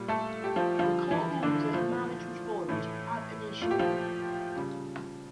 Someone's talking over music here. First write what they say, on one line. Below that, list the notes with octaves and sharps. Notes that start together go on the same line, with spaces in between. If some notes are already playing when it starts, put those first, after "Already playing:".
The Court ruled that the marriage was void "ab initio".
Already playing: A#2 G3
A3 A4
G4
F3 F4
D3 F3 G3 F4
E3 E4
D3 D4
A#2 F3 A3 F4
A2 E3 A3
A#2 A3 F4
G4
F3 F4
C#3 G3